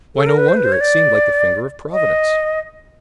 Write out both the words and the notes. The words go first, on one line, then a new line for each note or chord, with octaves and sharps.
Why, no wonder; it seemed like the finger of Providence.
A4
A#4
B4
C5
B4
C5
C#5
D5
D#5